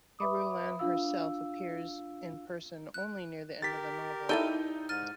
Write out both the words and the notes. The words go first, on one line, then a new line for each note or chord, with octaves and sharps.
Irulan herself appears in person only near the end of the novel.
B4 E5 B5 D6 D#6
D4 F4 F5 E6
F#6
G4 A#4 A6 B6
D#4 E4 A4 D5 E6 G6 D#7 G7
G#2 F6 A6 D#7